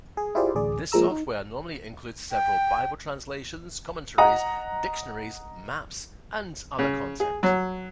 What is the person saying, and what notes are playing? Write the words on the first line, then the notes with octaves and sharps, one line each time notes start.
This software normally includes several Bible translations, commentaries, dictionaries, maps and other content.
G#4
E4 F4 G4 G#4 C5 D5
A1 D2 G#4 D5
A#2 F3 G#3 A#5 E6
D#4
G5
D#5 F#5 A#5 D#6
C#3
G#4
F#3